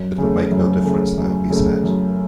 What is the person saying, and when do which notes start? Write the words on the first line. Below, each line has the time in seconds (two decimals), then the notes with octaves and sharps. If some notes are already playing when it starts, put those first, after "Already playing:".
"It will make no difference now," he said.
Already playing: F#2
0.18 C#3 A3
0.51 F#2
0.84 C#3 A3
1.17 F#2
1.50 C#3 A3
1.84 F#2